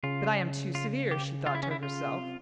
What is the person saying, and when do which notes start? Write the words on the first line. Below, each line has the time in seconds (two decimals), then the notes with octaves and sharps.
"But I am too severe," she thought to herself.
0.03 C#3 F4
0.75 F4
1.11 G4
1.46 F4
1.55 E4
1.63 C#4
1.71 E4
1.83 F4
2.18 C3